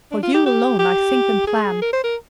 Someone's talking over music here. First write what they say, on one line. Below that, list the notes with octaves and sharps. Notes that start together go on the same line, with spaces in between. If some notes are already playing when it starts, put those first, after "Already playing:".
For you alone, I think and plan.
D4
F4
G4
G4
G4
G#4
A#4
C5
A#4